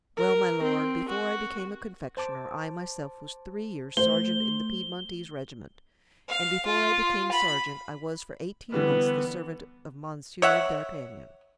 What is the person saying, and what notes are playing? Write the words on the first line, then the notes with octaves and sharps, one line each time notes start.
"Well, my lord, before I became a confectioner I myself was three years sergeant in the Piedmontese regiment, and before I became sergeant I was for eighteen months the servant of Monsieur d'Artagnan."
A#4
C4
F#4
C5 A5 D6
A3 C5 G7
F5
F4
B5
D3 E3 G3 B3
C#5 E5 F#5